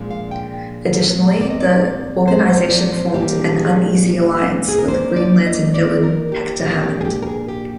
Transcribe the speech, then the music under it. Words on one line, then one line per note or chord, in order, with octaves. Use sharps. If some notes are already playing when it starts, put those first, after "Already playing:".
Additionally, the organization formed an uneasy alliance with Green Lantern villain Hector Hammond.
Already playing: A#2 F3 G#3 D4
F5
G5
A#2 G3 C4 D5
D#5
D5
C5
C5
D5
C5
A#2 G3 A#3 D4 G4
G#4
G#4
A#4
D#3 A#3 D4 C5
D5
D#5
D5
A#4
G4
A#2 F3 A#3 D4 G4
G4
G#4
G4
A#4
G#4
G4